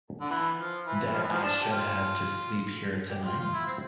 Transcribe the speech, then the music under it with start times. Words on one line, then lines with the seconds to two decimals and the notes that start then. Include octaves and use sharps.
That I should have to sleep here tonight!
0.21 D3
0.30 E3
0.58 F3
0.87 E3
1.14 F3
1.23 E3
1.31 F3
1.43 D4
1.63 G4
1.71 F4
3.10 G4
3.25 F4
3.39 F4
3.53 E4
3.67 C4